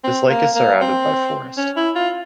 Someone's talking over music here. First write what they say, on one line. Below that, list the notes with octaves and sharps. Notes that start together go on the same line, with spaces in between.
This lake is surrounded by forest.
C4
A#3
A#3
C4
C#4
E4
F4